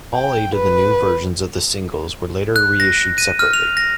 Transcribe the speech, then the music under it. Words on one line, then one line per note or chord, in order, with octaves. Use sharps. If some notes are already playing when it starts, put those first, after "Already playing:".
All eight of the new versions of the singles were later reissued separately.
G5
B4
F#6
A#6
D#7
F6
F7
A#6